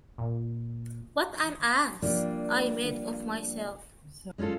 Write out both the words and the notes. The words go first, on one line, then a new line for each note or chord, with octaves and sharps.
What an ass I made of myself!
A#2
C3 F3 G3 A#3 D4
G#3 C#4 D#4 F4 A4